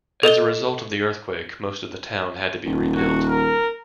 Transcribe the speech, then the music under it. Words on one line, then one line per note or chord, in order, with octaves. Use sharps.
As a result of the earthquake, most of the town had to be rebuilt.
A4 D#5 F7 G7
D#1
F#4
A#4